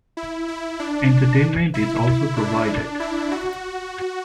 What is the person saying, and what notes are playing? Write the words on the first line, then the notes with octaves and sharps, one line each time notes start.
Entertainment is also provided.
E4
E4
D4
E4
D4
E4
F#4